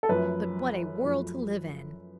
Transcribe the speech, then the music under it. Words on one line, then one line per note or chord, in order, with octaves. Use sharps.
But what a world to live in!
A4
F#2 F3 A3 B4
F#2 F3 A3